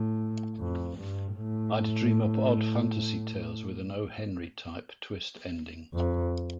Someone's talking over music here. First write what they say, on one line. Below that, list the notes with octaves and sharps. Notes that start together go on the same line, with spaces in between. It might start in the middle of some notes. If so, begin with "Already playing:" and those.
I'd dream up odd fantasy tales with an O. Henry type twist ending.
Already playing: A2
F2
G2
A2
F2